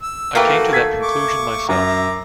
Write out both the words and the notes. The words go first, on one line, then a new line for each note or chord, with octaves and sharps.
I came to that conclusion myself.
E6
D#3 A3 A#3 F#4 A#4 B4 G5
E6 G#6 B6
C#6 D6
F#2 E5 A#5 D6